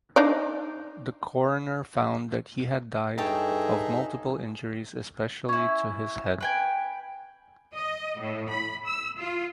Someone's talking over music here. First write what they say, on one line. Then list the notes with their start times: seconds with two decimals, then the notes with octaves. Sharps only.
The coroner found that he had died of multiple injuries especially to his head.
0.16 D4 D#4 D5
3.18 G2 D#4 G#4 A4 C#5 E5 G5 A5
5.49 C#4 E4
6.41 B4 G5 G#5
7.75 D#5
8.19 A2
8.50 B5
8.86 E6
9.20 F4